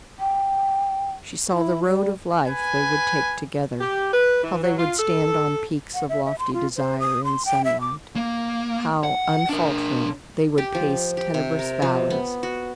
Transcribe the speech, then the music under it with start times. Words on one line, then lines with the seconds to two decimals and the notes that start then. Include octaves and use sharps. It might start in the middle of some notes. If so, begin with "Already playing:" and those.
She saw the road of life they would take together; how they would stand on peaks of lofty desire, in sunlight; how, unfaltering, they would pace tenebrous valleys.
0.20 G5
1.52 E4
1.84 G3
2.46 B4 G#5
3.80 G4
4.11 B4
4.43 E3
4.62 F#3
4.78 F4
4.98 A4
5.94 F#5
6.09 E5
6.25 E5
6.39 C6
6.53 F4
6.77 C5
7.00 D#6
7.24 C6
7.45 G5
7.64 E5
7.81 D6
8.16 A#3
9.04 F#5
9.49 D4 A#4
10.58 G4
10.75 F3
11.17 G4
11.34 C3
11.59 A#4
11.82 F3
12.10 B3
12.43 F#4